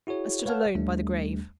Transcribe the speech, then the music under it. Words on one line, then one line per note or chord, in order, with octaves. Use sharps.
I stood alone by the grave.
E4 F#4 G#4 C#5
B4 C#5 F5 F#5 A5 F6
D#2 G3 A3 D4